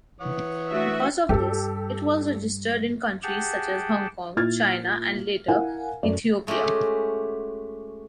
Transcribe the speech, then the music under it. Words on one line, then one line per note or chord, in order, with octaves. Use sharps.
Because of this, it was registered in countries such as Hong Kong, China and later, Ethiopia.
E3 C#5 F#5 D#6
A3 D4 F#4 E5
G2 G3 G4 A4
G4 G#4 F#5 G5 A5
A#2 E4 F6 G#6 A6
E4 A#4 F5 F#5 G#5
F#2 A3 C#4 D5
G#3 A3 C#4 F#4 G4